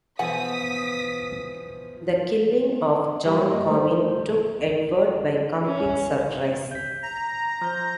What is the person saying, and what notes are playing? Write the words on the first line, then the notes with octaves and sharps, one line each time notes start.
The killing of John Comyn took Edward by complete surprise.
B2 E3 F3 F#5 G#5 D#6 B6
G3 A#3 G4 A#4
G2 A#3 D5 D#5
G3 A3 C5 D5
C#4
G6 B6
A#5
F3 G6